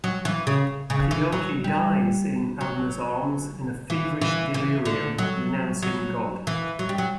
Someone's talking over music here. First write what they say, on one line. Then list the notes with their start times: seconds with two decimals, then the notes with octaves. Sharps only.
Keoki dies in Abner's arms in a feverish delirium, renouncing God.
0.04 F#3
0.25 E3
0.47 C#3
0.90 C#3
1.11 E3
1.32 F#3
1.64 G3
2.61 F#3
3.90 E3
4.22 E3
4.54 E3
4.85 D3
5.18 F#3
5.83 F#3
6.47 E3
6.79 F#3
6.89 G3
6.98 F#3